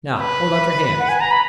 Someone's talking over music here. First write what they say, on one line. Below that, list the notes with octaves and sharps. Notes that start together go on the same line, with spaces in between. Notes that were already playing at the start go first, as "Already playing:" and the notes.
"Now hold out your hands."
B4
F#5
G#5
A#5
B5